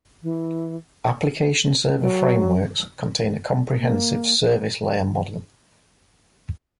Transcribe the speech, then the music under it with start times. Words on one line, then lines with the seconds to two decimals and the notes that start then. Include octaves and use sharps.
Application Server Frameworks contain a comprehensive service layer model.
0.23 E3
2.00 F#3
3.79 A#3